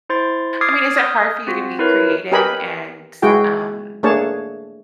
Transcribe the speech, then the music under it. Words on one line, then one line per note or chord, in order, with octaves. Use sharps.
I mean, is it hard for you to be creative and, um,
E4 C5 C6 A6
D6 D#6 F6 G#6 A6 C7
D#6 F6 G6
C4 F4 F#4
E4 A#4 B4 C#5
G4 A#4 B4 D#5 G#5 B5
G#3 E4 F#4 G#4 G5
A3 A#3 D4 G#4 C#5 A5